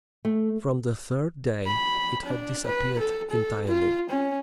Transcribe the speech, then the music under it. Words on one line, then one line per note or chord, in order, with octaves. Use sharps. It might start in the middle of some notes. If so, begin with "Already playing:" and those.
From the third day it had disappeared entirely.
A3
B5
D4
B4
A4
A4
F4
C#4